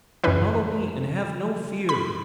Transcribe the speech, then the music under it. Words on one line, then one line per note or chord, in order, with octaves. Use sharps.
"Follow me and have no fear."
F#2 C#3 E3 B4
B5